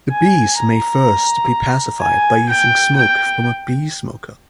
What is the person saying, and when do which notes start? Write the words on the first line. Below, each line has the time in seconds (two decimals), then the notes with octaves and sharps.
The bees may first be pacified by using smoke from a bee smoker.
0.10 G#5
0.57 A#5
2.01 G#5
2.49 G5
2.96 G5